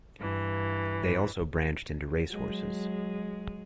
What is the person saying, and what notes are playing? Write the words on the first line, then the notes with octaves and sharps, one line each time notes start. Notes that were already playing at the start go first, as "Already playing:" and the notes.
They also branched into race horses.
G2 E3
F#3 G#3